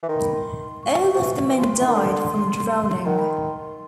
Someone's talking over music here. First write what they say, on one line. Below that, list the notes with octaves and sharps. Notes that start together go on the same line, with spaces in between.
All of the men died from drowning.
E3
D#3 C6
B5
C6
C#6
F3
E3
E3
F3 C6
E3
D#3
D3
D#3 F#5
B5
C6
C6